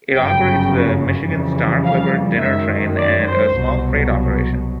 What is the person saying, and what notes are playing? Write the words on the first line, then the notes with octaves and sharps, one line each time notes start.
It operates the Michigan Star Clipper Dinner Train and a small freight operation.
G1 F#2 C#3 F#3 G5
F2 C#3 E3 G3
F5
F#2 D#3 G#3 E5
D5
C5
C2 B2 F#3